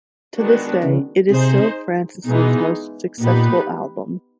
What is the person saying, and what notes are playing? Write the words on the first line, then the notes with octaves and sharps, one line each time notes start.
To this day, it is still Francis' most successful album.
D#3 G#3 B3 D4 F#4
C#3
C3 D#4 G#4 C5
B2 E3 G#3 B3 D#4 G#4
A#2 B3 D#4 G4 B4